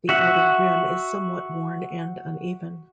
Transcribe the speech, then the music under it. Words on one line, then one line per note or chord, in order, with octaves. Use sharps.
The outer rim is somewhat worn and uneven.
F#4 E5 F#5